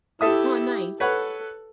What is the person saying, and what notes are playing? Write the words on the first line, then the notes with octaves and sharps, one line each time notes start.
Oh, nice.
E4 G4 A4 E5 D#6
A4 B4 C#5 F#5